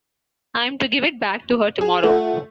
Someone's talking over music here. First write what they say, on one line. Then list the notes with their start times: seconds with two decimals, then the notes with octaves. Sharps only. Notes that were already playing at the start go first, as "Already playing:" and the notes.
I’m to give it back to her tomorrow.
1.81 G#4
2.03 A3 F4 A4 F#5